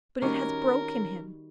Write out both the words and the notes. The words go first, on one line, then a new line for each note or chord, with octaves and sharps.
But it has broken him.
D#3 G3 C#4 F#4 A#4